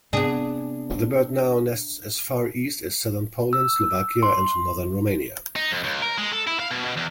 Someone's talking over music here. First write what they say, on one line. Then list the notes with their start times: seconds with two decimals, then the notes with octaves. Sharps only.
The bird now nests as far east as southern Poland, Slovakia, and northern Romania.
0.13 C3 B3 C4 D4 G#4
3.53 E6
4.23 C6
5.56 D#4
5.71 F2
5.83 C#2
6.02 A#4
6.18 G#3
6.32 A4
6.47 E4
6.60 F5
6.71 B2
6.84 B2
6.97 E2